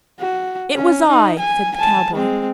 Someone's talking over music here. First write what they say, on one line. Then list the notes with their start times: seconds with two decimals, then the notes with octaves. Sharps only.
"It was I," said the cowboy.
0.20 F#4
0.75 C#4
1.09 D#4
1.39 G#5
1.76 G#5 A5
2.14 G#3 C4